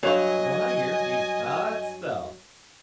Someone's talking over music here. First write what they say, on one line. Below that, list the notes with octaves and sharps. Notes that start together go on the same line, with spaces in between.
"From what I hear, he's hot stuff!"
G2 F#3 C#5 D#5 G#5